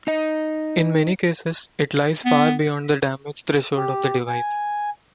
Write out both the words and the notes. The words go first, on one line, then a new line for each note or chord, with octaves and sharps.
In many cases, it lies far beyond the damage threshold of the device.
D#4 D#5
B3
G4
G#5